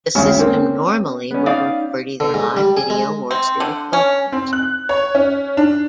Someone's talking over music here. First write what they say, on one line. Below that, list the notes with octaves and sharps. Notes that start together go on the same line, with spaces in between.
The system normally will record either live video or still photos.
G#1 D2 C#4
A#3 C4
B3 C#4
D#4 D5 F5
D3
G#2
G3
G#4
G#3
C4
D3
C#4
C4
F#6
C#5
C#4
D4